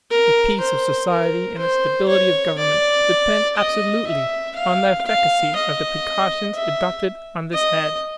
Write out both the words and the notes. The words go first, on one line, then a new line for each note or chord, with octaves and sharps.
The peace of society and the stability of government depend absolutely on the efficacy of the precautions adopted on this head.
A#4
C5
A#4
C5
C#5
D5
D#5
E5
F5
F5
D#5
E5
D#5